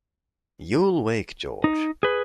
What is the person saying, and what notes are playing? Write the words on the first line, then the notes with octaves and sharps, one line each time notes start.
You'll wake George.
D#4
G#4 B4